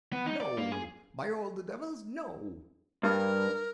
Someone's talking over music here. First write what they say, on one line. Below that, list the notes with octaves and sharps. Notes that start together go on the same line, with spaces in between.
"No! By all the devils, no!"
B3
D#4
D5
A#3
G#4
G2 A#4